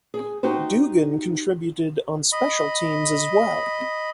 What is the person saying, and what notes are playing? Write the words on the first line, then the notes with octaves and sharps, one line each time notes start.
Dugan contributed on special teams as well.
G#4
D#4 F#4 G4 C5
D#5 B5